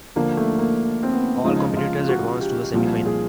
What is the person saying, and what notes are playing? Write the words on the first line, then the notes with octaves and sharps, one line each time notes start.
All Competitors advanced to the semi-final.
D#2 D3 F3 A#3
A3
A#3
C4
B3
C#2 C#3 F3 D#4
F4
F#4
G4
C2 A#2 F3
G#4